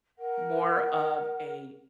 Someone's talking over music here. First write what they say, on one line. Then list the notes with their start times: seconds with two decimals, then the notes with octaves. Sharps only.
more of a,
0.17 A#4 F#5